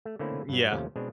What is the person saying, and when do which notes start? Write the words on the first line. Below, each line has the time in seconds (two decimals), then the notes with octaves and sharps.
Mm, yeah.
0.05 A3
0.19 D3 A3 A#3 C4 C#4 E4
0.49 G2 F#3
0.71 D#2 C3 F3 A3 C#4
0.96 B2 G#3 C4 D4